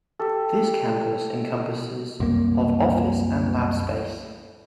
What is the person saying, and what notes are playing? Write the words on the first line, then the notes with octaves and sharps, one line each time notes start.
This campus encompasses of office and lab space.
G4 A4
C2 F#2 A#3